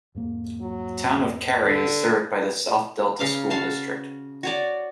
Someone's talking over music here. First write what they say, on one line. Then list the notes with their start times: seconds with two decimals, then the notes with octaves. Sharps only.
The town of Cary is served by the South Delta School District.
0.15 E2 G#2 A#3
0.61 F#3
1.65 D3
3.19 C#3 F5 D6
3.50 F#4 F5 A5
4.43 F#4 C#5 D5